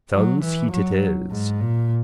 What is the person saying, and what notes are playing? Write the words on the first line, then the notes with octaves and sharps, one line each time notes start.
Sun's heat it is.
F#3
E3
F#3
G#2
A#2